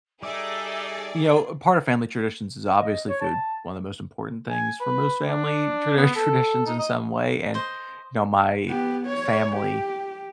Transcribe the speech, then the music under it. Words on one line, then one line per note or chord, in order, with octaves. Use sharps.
You know, part of family traditions is obviously food, one of the most important things for most family tradi traditions in some way, and, you know, my family
G3 D#4 G#4 A4 D5 E5 D6
D#5
C#5
A5
G#5
B4
D4
B3
A4
D#4
D#5
C5 D#5
B3 G4
C#5
G4